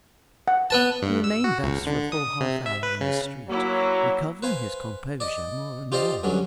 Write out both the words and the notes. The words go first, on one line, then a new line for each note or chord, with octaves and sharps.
He remained thus for a full half-hour in the street, recovering his composure more and more.
F#5
B3 B4 A5
G2
E6
F#4
C#2
D3
D#6
C3
E5
B4
C#3
F#3 A#3 E4
B4 C5 F5 G#5
D5 D#5
F4 G4 C5 D5 D#5 F5
G2 D3 F#3 C#4